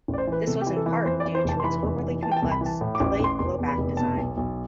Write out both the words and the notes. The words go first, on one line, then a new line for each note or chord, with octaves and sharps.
This was in part due to its overly complex delayed-blowback design.
A1
D5
C5
E3 B4
C3 A4
G4
E3
A4
E3 B4
F2 C5
D5
E3
C5
F1 A5
C6
E3 B5
F1
E3
E3 A5
G5
A5
C2
B5
E3
A5
A2
D6
A1
A1 C6
F1 C6
E2
B5
F1
B2 A5
B1
B1